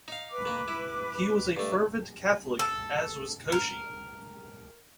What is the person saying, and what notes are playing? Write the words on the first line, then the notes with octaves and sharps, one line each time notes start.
He was a fervent Catholic, as also was Cauchy.
D#4 F5
B4 D6
D#3 A#3
E4
G2 A3
A4
A#4